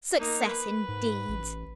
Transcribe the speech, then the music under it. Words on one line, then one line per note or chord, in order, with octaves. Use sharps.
Success indeed!
A#3 D#4
B4
G#2
A1